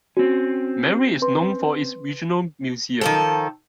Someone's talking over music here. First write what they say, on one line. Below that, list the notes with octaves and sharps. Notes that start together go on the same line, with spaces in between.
Mary is known for its Regional Museum.
C4 C#4 F#4
B4 C6
D#3 F3 A4